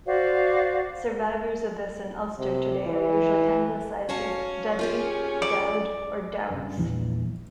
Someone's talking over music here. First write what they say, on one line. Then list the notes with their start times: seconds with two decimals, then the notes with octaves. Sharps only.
Survivors of this in Ulster today are usually anglicised as Duddy, Dowd or Dowds.
0.06 F#4 C5 D5 F5
2.38 C3
2.86 E3
4.09 C#4 F#4 F5 A5
4.79 F4 G4 G#4
5.42 D5
6.50 G2 C#3
6.77 A#1 E2 E3 G3